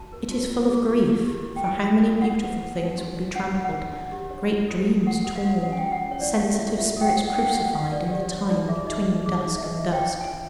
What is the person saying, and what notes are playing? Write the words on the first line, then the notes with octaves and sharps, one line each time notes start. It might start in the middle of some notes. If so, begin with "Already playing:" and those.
It is full of grief; for how many beautiful things will be trampled, great dreams torn, sensitive spirits crucified in the time between dusk and dusk?
Already playing: F#4 A5
A#4
F#4
F4
G#4
F4
E4
G4
E4
G5
F4 G#5
A4
F4
E4 F#5
A4
E4
D4
F#4
C#5
D4 F#5
F#4
F#5
C#5
D4
G4
C#5
F4
A4
F4
F#4 F#5
A4 F#5
F5
F#4
C#4 F#5
G#5
F4 G5
F#5
C#4
C#5
E4 D5
G4 F5
E4 E5
F4 E5
A4 G5
F#5
F4
F#5
D#4 G5
F#4 F#5
F#5
D#4 F5
D4 D5
G4 D5
C#5
D#4 D5
G#4 E5
D#4 D#5
D#4
G#4
D#4
E5
D4 D#5
F4
G5
C#5
F4 G#5